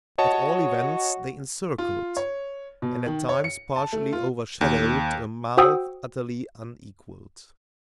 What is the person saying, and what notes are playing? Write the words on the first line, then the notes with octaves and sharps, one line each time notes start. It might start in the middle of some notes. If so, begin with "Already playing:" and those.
At all events, they encircled, and at times partially overshadowed, a mouth utterly unequalled.
F#4 C#5 D#5 A5
F#4
F4
C#5
B2
D#3
C#5
C#7
A5
A3
F4
D#2
F#4 C5 F#5 G5 D#6 E6